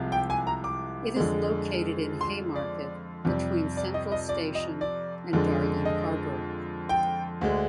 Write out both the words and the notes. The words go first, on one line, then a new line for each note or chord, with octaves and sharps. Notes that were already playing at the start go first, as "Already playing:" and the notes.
It is located in Haymarket, between Central Station and Darling Harbour.
Already playing: C2 C3 F3 G#3
G5
G#5
A#5
D6
F2 D3 G#3
C6
D5
F2 C3 G3
D5
D#5
D#5
D5
D#5
D5
F2 D3 G#3
D#5
G5
D2 D3 G#3